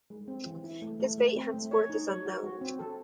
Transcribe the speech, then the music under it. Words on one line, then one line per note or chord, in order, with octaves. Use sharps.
His fate henceforth is unknown.
G#3
C4
E3
E4
A3
A3
A3
C4
A3
C#5
D#4
C#5
F#4
F#4
C4
A4